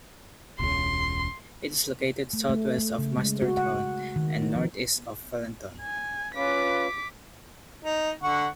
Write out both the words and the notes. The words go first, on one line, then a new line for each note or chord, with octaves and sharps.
It is located southwest of Masterton and northeast of Wellington.
E1 C#2 C#3 C6
A3
A3
A3
C#3
G#3
F#4
F#5
D#3
D#4
F3
G#5
C#4 F4 B4 D6 B6
D#4
D3 F#5 C#6